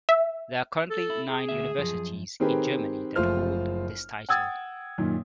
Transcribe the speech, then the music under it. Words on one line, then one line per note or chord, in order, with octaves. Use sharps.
There are currently nine universities in Germany that hold this title.
E5
A4
E4
G#4
D2 E5
F#2 F3
D#3 C4 G4 G#4 A#4 B4
F#1 F3 A3 F4 C5 F6
F#5 G5 D#6 E6 G#6 A6
F#2 A#2 D#3